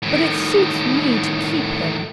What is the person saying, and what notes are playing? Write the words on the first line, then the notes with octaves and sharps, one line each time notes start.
But it suits me to keep him.
A2 D#3